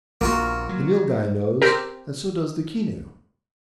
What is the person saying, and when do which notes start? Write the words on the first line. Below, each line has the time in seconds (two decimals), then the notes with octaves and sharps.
'The Nilghai knows, and so does the Keneu.
0.21 A#1 D#2 A#3 F4 F#4
0.69 F#3
1.62 C4 G4 A#4